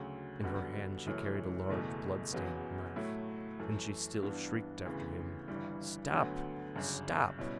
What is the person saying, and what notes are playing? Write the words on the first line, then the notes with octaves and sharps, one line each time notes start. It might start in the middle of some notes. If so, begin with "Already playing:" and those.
In her hand she carried a large blood-stained knife, and she still shrieked after him, "Stop! stop!"
Already playing: D2 C#3 F#3
F#2 D3 G3 B3 F#4
F#1 F#2 E3 A3 C#4
F#1 E2 B2 A3 E4
F#1 E2 C#3 F#3 B3
A2 F#3 A3 E4
F#2 E3 A3
G2 E3 B3 D4
D2 C#3 E3 B3
G1 G2 E3 G3
D2 D3 F#3 B3
G1 F#2 C#3
B2 G3 C#4 E4